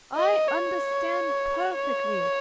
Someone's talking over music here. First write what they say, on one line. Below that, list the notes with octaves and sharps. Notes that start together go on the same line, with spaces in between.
I understand perfectly.
D#5
C#5
C#5